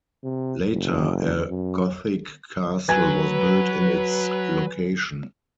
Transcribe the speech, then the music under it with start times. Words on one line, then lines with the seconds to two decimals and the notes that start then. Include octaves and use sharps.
Later a Gothic castle was built in its location.
0.23 C3
0.73 F#1
1.48 F#2
2.89 F#3 B4 G#5 G#6